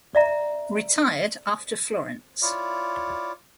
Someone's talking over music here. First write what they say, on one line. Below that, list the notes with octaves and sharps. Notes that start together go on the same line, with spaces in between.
Retired after Florence.
D5 E5 A#5
E4 F4 C#5 D5